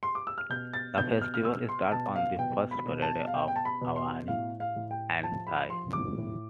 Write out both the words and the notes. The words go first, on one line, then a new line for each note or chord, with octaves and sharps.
The festival starts on the first Friday of Avani and Thai.
C6
D6
E6
F6
B2 G6
A6
B2 G6
F6
F6
B2 E6
C6
B2 A5
F5
B2 G5
B5
B2
A5
F5
B2 G5
G5
A5
B5
B2
C6
A2 F5
F5
A2
G5
F3 A5
B5
F3 C6
D6
A2